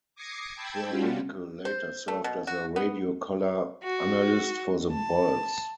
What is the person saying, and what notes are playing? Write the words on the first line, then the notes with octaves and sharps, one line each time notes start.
Boerwinkle later served as a radio color analyst for the Bulls.
D6 D#6 G#6 A#6 C7 C#7
G5 A5 B5 E6 G6 G#6
G3 C#4 F4 F#4
C5
A3
B2
F#4
B3
F#4
A5